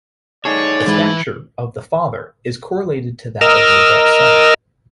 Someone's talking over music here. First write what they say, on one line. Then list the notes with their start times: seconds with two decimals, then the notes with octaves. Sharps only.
The stature of the father is correlated to that of the adult son.
0.45 D#4 G#4 A4 C#5 D5
0.87 G#2 E3 B4
3.41 A#4 D#5 E6 F6